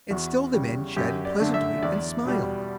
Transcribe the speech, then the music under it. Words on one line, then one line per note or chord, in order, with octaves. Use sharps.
And still the men chatted pleasantly, and smiled.
E2 F#4
C#3 G3
F#2 G4
D5
D3 A3
E5
E2 D5
B2 G3